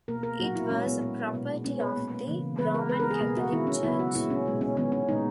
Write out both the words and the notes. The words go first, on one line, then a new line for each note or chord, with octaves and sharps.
It was a property of the Roman Catholic Church.
B2 A#3 A#4
A#4
A#2 F#3 A#3 F#4
E4
A#2 G#3 B3 C#4
B3
A#2 G#3 B3
B2 G#3 B3
B2 G#3 B3 C#4
B4
A#2 A#3
C#3 E3 A#3
C#3 E3 G#3 B3 B4
A#4
C#3 G#3 B3 B4
A#4
G#4
B2 A#3 G#4
F#4
D#3 G#3 B3 E4
C#4
C#3 F#3 B3 E4
F#4
A#2 G#3 B3 E4
C#4
B2 G#3 B3
C#4
D#3 G#3 B3 C#4
C#4
A#2 G#3 B3 D#4